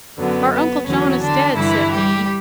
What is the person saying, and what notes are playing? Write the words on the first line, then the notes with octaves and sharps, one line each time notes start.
"Our uncle John is dead," said he.
F#2 D3 F#3 B3
B3
E2 D3 F#3 C#4
D3 D4
G2 D3 E3 G3 E4
G3 G4